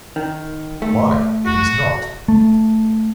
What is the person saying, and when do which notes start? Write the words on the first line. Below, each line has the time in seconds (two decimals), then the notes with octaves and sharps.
Why, it is not!
0.16 D#3
0.82 A3
1.45 F#4
2.28 A3